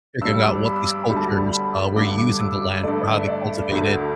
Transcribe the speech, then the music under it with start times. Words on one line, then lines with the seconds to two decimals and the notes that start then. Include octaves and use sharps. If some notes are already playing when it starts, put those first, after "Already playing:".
figuring out what these cultures, uh, were using the land for, how they cultivated,
0.21 G2 G3 E6
0.43 D6
0.65 B5
0.76 E6
0.87 D6
1.09 D2 D3 G3 B5
1.16 A5
1.24 B5
1.52 B5
1.96 G2 D3 G3 D6
2.18 D6
2.40 E6
2.62 D6
2.83 G2 D3 A3 D5
3.19 E5
3.27 D5
3.71 D2 D3 A3